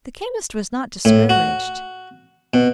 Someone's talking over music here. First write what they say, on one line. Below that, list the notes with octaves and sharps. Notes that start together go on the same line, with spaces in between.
The chemist was not discouraged.
A2
F#4
B2